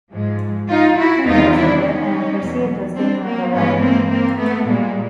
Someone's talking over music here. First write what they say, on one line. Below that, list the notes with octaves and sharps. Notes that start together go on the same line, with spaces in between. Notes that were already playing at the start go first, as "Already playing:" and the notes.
Ten years later I am perceived as being on the left.
G#2 F3 G#3
D#4 F4
E4 F#4
E2 C3 D#3 G3 D#4 F4
D4 E4
C#4 D#4
E2 B2 F#3
C4 D4
A#3 C4
G2 E3 G#3 B3 C#4
A#3 C4
A#3 C4
A3 B3
A#2 G3 G#3